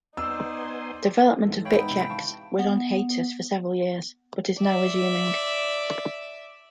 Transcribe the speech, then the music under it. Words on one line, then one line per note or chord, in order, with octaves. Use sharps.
Development of BitchX was on hiatus for several years but is now resuming.
B3 D#4 C5 D5 G#5 C6 E6
G#2 E3 A4
E4 C#5 F5 G5 B5
B3 D#4
C3
F5 A5 C#6
B3
D5 E5